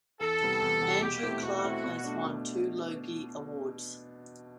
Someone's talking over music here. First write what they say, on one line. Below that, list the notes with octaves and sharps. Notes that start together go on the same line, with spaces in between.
Andrew Clarke has won two Logie Awards.
E2 A4
C3 E3 G3 B3
E2
C3 E3 G3 B3
B2 G4
A3 C4 E4
B2 F#4
A3 C4 E4
B2
A3 D4
B2